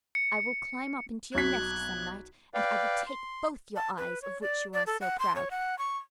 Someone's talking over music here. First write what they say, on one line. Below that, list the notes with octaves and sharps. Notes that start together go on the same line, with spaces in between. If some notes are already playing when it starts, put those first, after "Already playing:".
I will climb up into your nest some night, and I will take both your eyes of which you are so proud.
C#7
B1 B2 F#6 G#6 B6
B4 D5 F5 G5
C6
A5
B4
C#5
D5
D5
A4
F#5
C6
C#5
F#5
C#6